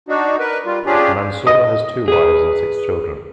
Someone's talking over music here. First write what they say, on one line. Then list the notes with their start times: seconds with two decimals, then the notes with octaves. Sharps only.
Mansour has two wives and six children.
0.09 D4 D#4 F#4
0.39 A#4 B4
0.65 G3 F4
0.86 F3 C#4 D4 F4 G4 G#4
1.47 D#5
2.08 G#4 B4